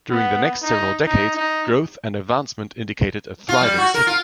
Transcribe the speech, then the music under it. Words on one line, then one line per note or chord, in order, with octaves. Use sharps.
During the next several decades, growth and advancement indicated a thriving city.
B3
D#4
D#4
D#4
F4
G3
F#4
A#4
F4